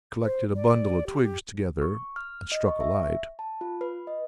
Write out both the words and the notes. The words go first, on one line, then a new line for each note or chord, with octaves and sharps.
He collected a bundle of twigs together and struck a light.
C5
D5
G4
G4
C#6
F6
D#5
C#6
E5
A5
F4
B4
D#5